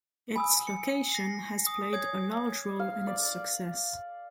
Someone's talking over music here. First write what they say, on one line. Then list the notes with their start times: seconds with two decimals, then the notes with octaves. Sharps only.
Its location has played a large role in its success.
0.36 G#5 B5 D#6 E6
0.67 C#7
1.12 A#6 C7
1.67 D#6
1.93 C#5 D#6 G#6
2.79 F5
3.07 D5